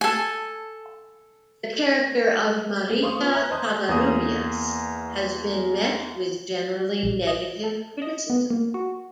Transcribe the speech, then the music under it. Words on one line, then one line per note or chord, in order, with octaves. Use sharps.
The character of Marita Covarrubias has been met with generally negative criticism.
A4 G#5
A3 A#3 G#4
C5 F5 C6 C#6 D#6
B3 F4
E5 A#5 F#6
C5 D#5 A5 C6 D#6 G6
E2 A#3 D#6
A#1
D#5
A4
D#5
B3
A#3
F#4